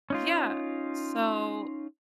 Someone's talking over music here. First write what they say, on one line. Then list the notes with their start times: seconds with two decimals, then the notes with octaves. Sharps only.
Yeah. So
0.10 C#4 D#4 F4